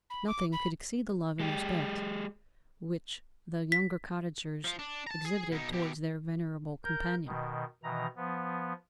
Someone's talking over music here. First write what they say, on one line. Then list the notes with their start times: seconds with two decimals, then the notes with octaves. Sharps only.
Nothing could exceed the love and respect which the younger cottagers exhibited towards their venerable companion.
0.10 B5
0.27 D6
0.53 B5
1.40 G#3 G4
3.72 B6
4.64 F3 F4
4.79 D4
5.07 A5 A#5
5.25 G#4
5.52 B2 D#4
5.73 B2 G4
6.84 A#4 G6
7.26 B2 D#3
7.83 B2 D#3 E3 A#5
8.17 F3 B3